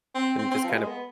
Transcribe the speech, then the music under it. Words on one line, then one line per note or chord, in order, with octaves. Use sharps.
And just kind of
C4
C4
C4
F3
G3
G#3
B3